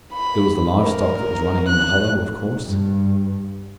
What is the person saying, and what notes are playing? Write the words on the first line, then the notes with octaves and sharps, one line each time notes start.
There was the live stock that was running in the Hollow, of course.
B5
A#4
F#6
G2